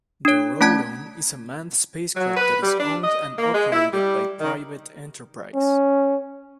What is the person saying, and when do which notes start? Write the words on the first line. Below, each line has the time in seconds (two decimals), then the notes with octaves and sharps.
The Roton is a manned spacecraft that is owned and operated by private enterprise.
0.25 D4 C#5
0.61 A3 C#4 A5 G#6
2.17 F#3
2.37 B4
2.63 G3
2.80 D4
3.04 D#5
3.39 A#3
3.55 G#3
3.72 E4
3.94 G3
4.41 D#3
5.55 C#4